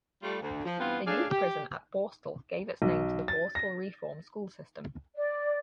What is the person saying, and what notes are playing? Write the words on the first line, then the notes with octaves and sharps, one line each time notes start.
The youth prison at Borstal gave its name to the Borstal reform school system.
G3 A3 F4
D2
F3
G2 E3 B3 C4 F4
A3 C#4 D4 G#4 D5 F5
G4
B1
A6
A#6
D5